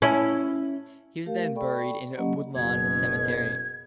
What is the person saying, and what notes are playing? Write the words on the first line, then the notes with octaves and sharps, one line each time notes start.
He was then buried in Woodlawn Cemetery.
C#4 E4
A3 G4 A#4 F5
A4 D5 G5 B5 C#6
F#3 A#3 C#4 G4 D#5 F#5
F#1 B2 G#6